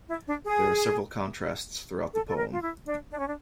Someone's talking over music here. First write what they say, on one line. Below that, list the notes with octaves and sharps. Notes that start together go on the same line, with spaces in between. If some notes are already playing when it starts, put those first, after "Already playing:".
There are several contrasts throughout the poem.
E4
D4
G#4
A4
A4
A#4
F4
E4
D4
D4
C#4
D4